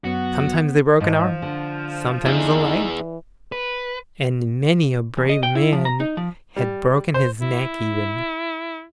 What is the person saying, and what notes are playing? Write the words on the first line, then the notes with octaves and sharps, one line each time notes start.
Sometimes they broke an arm, sometimes a leg, and many a brave man had broken his neck even.
F#2 F#3 B3 F#4
G#2 F3
D3
D#4 E4 G#4 D5
E3
B4
E2
D#5
G5
E4
F3
A#5
D#4
F3
G3
C5
E4